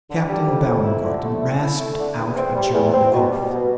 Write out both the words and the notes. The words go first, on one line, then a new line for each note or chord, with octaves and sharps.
Captain Baumgarten rasped out a German oath.
D3
G3
F2
F2
E4
D3
A3
E4
E4
A3
D3
E2
C4
G3
E2
C4
B2
G3
B2